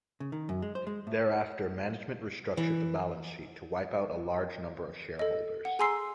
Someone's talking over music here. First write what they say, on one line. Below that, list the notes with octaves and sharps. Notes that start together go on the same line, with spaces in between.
Thereafter management restructured the balance sheet to wipe out a large number of shareholders.
C#3
D#3
F#2
G#3
C5
G#3
A2
E3
A4 D#5
F#5
G#4 G#5 A#5 C6 E6 C7